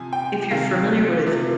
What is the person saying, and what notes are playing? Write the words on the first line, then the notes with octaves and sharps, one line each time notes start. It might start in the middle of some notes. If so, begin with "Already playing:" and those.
If you're familiar with
Already playing: C3 F3 G#5
G5
C3 D#3 F5
C3 F3